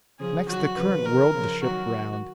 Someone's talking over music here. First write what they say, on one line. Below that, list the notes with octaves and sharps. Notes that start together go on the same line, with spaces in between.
Next the current whirled the ship round.
C#3 F3 G#4
D#3 F#3 F#4
C#3 F3 B4
D#3 A#4
C#3 F3
D#3 F#3 F#4